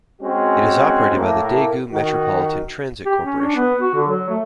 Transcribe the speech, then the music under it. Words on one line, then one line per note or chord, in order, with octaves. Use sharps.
It is operated by the Daegu Metropolitan Transit Corporation.
G#3 C4 C#4 F#4
A2 A#3
D#3 F#4
G4
C#4
D4
B3
F#4
D3
F#3
A3